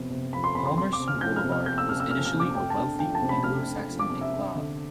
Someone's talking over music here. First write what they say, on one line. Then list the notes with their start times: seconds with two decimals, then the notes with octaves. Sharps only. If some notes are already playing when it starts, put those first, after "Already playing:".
Palmerston Boulevard was initially a wealthy Anglo-Saxon enclave.
Already playing: C3 F3 B3
0.10 C3
0.33 F3 B5
0.44 C6
0.55 C3 B5
0.66 C6
0.77 C4 C6
0.93 D6
1.00 C3
1.08 F6
1.21 F3 G6
1.36 F6
1.44 C3
1.52 F6
1.66 C4 G6
1.78 E6
1.89 C3 F6
2.00 E6
2.11 F3 F6
2.25 F6
2.33 C3
2.40 D6
2.55 A3 G5
2.70 A5
2.78 D4
2.99 F3 G5
3.15 A5
3.22 C3
3.29 B5
3.44 A3 F6
3.66 D4
3.88 F3
3.99 D6
4.10 C3
4.21 E5
4.33 D4
4.55 D3